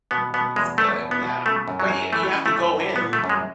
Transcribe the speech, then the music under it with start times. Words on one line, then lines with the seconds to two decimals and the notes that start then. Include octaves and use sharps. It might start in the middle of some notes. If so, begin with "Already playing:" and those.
that's good, yeah. But you you have to go in
0.11 B2 B3
0.34 B2 B3
0.56 E2 G#3
0.78 E2 A3
1.01 B2
1.11 B3
1.23 B2
1.46 C#3 A3
1.68 F#2
1.80 F#3
1.90 F#2
2.13 E3 A3
2.34 C#3
2.46 A3
2.58 F#2
2.80 D3
2.96 B3
3.01 D3
3.13 A3
3.24 F#2
3.29 G#3